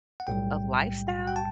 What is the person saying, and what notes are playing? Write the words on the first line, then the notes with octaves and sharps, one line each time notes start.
a lifestyle?
F#5
B1 A2 G3 G5
G5
A5